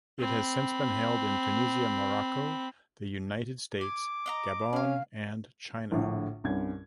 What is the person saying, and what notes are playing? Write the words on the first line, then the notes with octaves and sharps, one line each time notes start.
It has since been held in Tunisia, Morocco, the United States, Gabon and China.
C4 B5
G#5 D6
D#5 F5 A#5
A#3 C#4 F5
A#1 A2 D3
C2 G2 C#4 G#6